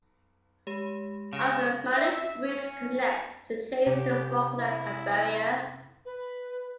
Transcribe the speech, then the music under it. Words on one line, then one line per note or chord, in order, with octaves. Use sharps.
Other, minor routes connect Chase to Falkland and Barriere.
G#3 G4 B5
C#3 F5 G#5 A#6
E5
C#4
C3 G4
E4
B4